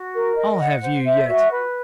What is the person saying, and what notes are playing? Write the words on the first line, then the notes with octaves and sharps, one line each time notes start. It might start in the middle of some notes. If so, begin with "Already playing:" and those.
"I'll have you yet."
Already playing: F#4
A#4
D#5
F#5
C5
E5
F#4
B4